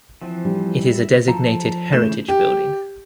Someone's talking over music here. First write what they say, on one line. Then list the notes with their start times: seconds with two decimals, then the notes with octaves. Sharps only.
It is a designated heritage building.
0.22 E3 F3 C4
0.45 G3
0.87 E5
1.28 F3 A4 A#5
1.92 C#3 E3 A3 G6 E7
2.28 G4